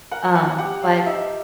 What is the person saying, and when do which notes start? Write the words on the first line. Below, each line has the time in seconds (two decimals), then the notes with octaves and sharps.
Um, but
0.11 A#4 F#5
0.35 F#5
0.58 G4 F#5
0.82 F5
1.06 D#4 E5